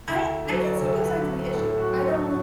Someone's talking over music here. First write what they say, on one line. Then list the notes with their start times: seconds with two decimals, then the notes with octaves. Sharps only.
I I can see both sides of the issue. I don't
0.08 D2 E4
0.45 D3 F#3
0.81 D2 A4
1.05 B4
1.17 D3 F#3
1.54 A2 A4
1.78 F#4
1.90 F#3
2.02 A4
2.26 A2 F#4